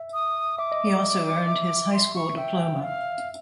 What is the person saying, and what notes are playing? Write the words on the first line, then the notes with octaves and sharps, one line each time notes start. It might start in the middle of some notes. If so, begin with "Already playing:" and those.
He also earned his high school diploma.
Already playing: E5
D#6
E5 D6
D#5
D5
D#5
E5
C6
C#6
E5 G5
F5